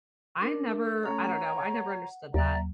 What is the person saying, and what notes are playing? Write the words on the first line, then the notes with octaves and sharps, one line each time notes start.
I never I don't know, I never understood that.
D4 A#4
A3 C#4 A4 C#5 A#5
F#5
D#2 F#3 A#3 D5 E5 A#5